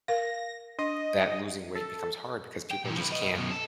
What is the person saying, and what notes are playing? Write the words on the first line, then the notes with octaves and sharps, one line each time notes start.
that losing weight becomes hard because people just can't
A#4 F5 A#6
D4 D#5
A4
G5
A#2 E3
F3 B4
B4 D#5
F#2 B2
A4